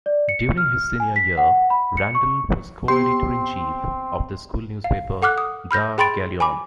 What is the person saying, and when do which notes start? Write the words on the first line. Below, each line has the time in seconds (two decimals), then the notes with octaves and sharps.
During his senior year, Randall was co-Editor-in-Chief of the school newspaper, "The Galleon".
0.06 D5
0.29 C#7
0.57 F6
1.00 G#5
1.16 B6
1.37 F#5
1.70 B5
1.97 C#7
2.15 C#6
2.88 B3 C4 G4 C6
4.84 F5
5.22 A4 F#5 D6 F6 F#6
5.38 D#6
5.71 B5 F6 G6 A#6
5.98 G#4 G5 B5 C6 A6 D7
6.40 G#5 B5 D6